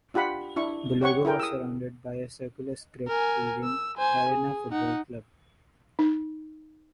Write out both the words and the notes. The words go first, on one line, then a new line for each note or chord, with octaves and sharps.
The logo was surrounded by a circular script reading, "Arena Football Club".
D4 F4 G4 F#5 B5
D4 E4 C#6
G4 C#5 F#5 C#6
E4 G#4 A#4 G5
D#6 E6
A#4 G#5
E6
C5 G#5
G#4
D#4 F#5
D#4